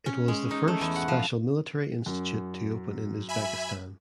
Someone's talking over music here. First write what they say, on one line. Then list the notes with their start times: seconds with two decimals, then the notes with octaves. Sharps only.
It was the first special military institute to open in Uzbekistan.
0.06 C#4
0.28 G#3
0.51 D#4
0.68 A3
0.81 E2
0.96 F#5
1.08 F3
2.06 F#2
3.29 E5 G#5 B5